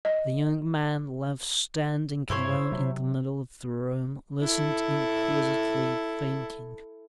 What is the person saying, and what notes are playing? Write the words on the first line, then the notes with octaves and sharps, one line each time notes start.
The young man, left standing alone in the middle of the room, listened inquisitively, thinking.
D#5
G2 C3 E4 C5 C#5
C3 F#3
E4 A4